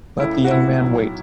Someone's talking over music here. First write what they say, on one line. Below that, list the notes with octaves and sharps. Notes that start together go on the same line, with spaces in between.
Let the young man wait.
C#2 C#3 A3 E4
F#4
E4
B1 A2 F#3